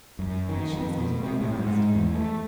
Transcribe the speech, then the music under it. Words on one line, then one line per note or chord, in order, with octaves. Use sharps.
But she is getting well fast.
F#2
D#3
F2
B2
C3
A2
G#2
E2
A3